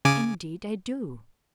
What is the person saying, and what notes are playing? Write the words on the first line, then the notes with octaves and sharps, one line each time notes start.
Indeed I do.
C#3 G#5 D6